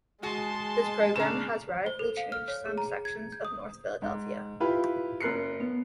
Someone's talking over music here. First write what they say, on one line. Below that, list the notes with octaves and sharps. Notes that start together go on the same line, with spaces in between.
This program has radically changed some sections of North Philadelphia.
G#3 F#4 G#4 A5 C6
C#3 D4 F5 A#5 E7
C5
A4
F5
F6
C#5
G#4
A#5
G#6
G6
D#6
G#2
E4 F4 G4 B4 B5
F#1 A#4 F#6 C7 C#7
B3